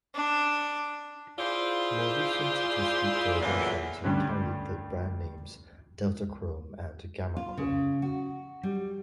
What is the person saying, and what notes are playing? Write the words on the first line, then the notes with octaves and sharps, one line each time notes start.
More recent discrete derivations have carried the brand names DeltaChrome and GammaChrome.
D4
E4 F4 G#4 C5 D5
E2 A#2 D3 E3 F#3 F4
D2 G2 G3 C#4 F#6
F4
C#3
F#4
G3